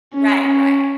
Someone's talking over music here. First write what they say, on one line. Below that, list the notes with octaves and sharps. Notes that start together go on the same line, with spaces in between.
Right, right.
C#4
C#4